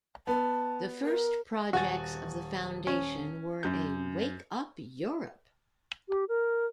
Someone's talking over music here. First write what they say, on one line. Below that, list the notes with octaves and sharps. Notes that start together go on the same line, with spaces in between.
The first projects of the foundation were a Wake Up Europe!
B3 A5
A#4
D#1 F#4 G#5 A6
C#4
F#2 G6
G4
A#4